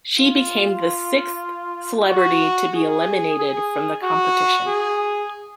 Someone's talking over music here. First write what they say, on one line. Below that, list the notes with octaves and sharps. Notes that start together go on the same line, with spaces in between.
She became the sixth celebrity to be eliminated from the competition.
F4
F#4
G#4
G#4
F#4
G#4